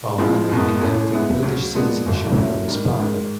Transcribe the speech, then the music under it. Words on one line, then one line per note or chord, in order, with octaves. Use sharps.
Ohana inherited British citizenship from his father.
A2 F3 G#3 C4
F#1 E2 B2 G#3
A1 A2 E3 A3 C#4
A2 E3 G#3 B3 E4
D2 C#3 F#3
A#2 F3 G#3 B3 D4
G1 F2 D3 F#3
A#2 F#3 A3 C#4 E4
G#2 D#3 G3
G#2 D#3 G#3